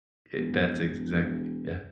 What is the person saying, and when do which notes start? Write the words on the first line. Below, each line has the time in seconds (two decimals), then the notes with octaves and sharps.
It that's exactly Yeah.
0.36 E1